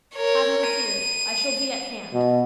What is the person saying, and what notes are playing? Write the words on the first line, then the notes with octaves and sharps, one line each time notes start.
Have no fear; I shall be at hand.'
A#4 C#5
D#7
B2